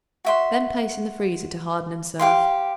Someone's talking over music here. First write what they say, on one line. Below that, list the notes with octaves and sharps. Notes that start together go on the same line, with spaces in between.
Then place in the freezer to harden and serve.
F#4 E5 C6
G4 F5 C6